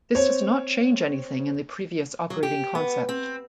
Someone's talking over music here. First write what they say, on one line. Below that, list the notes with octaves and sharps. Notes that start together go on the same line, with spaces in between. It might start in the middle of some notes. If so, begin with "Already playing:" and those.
This does not change anything in the previous operating concept.
C4 C#5
F#3
G4
B3
C4